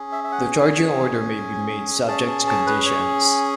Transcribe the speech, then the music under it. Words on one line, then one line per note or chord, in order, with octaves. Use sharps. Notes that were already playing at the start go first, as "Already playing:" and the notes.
The charging order may be made subject to conditions.
Already playing: C#4 G#4
E5
E5
F#5
G#5
C#4 G#4 A5
A5
A5
B4
C#5